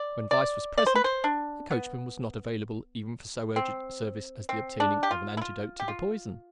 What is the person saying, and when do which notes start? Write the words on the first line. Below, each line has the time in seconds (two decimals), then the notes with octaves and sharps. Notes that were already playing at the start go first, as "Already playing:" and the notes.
When Weiss was present, the coachman was not available even for so urgent a service as the obtaining of an antidote to the poison.
Already playing: D5
0.31 D5
0.78 D5
0.86 C5
0.95 B4
1.04 C5
1.24 D4
1.71 B3
3.56 C4
4.49 C4
4.80 D4
5.03 G4
5.11 F4
5.37 E4
5.41 F4
5.80 G4
5.88 F4